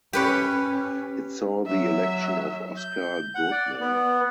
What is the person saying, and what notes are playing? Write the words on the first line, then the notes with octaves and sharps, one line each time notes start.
It saw the election of Oscar Goodman.
C#4 G4 B4 C#5
F#3 E5
G6
F#5
D5
B3